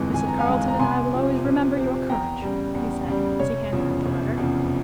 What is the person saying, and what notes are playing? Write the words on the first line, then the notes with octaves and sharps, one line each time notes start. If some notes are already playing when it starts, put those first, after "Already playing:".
"Mrs. Carleton and I will always remember your courage," he said, as he handed her the letter.
Already playing: G1 F2 E3 G#3
G1 G#5
A#5
F5 G#5
F2 E3 G#3
A#5
C2 G#5 C6
C3 F3 C4
C2
C3 F3 C4
E2 G5 A#5
C#3 G3
E2
C#3 G3
F1 C#5
E2 C#3 F3
F1
E2 C#3 F3